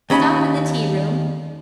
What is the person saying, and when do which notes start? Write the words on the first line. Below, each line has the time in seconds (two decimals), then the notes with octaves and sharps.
'Stop in the tea-room.
0.10 D#2 C#4 B5